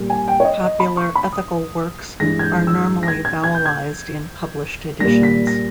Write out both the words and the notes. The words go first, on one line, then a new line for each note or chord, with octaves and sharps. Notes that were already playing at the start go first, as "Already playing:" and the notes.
Popular ethical works are normally vowelized in published editions.
Already playing: A#2 G3
G#5
G5
C#5
D#5
D#5
B5
C#6
B5
D#6
G2 E3 G#3 A#6
G#6
G6
E6
A#6
G#6
G#6
G#6
G6
G#6
A#2 G3 A#6
B6
A#6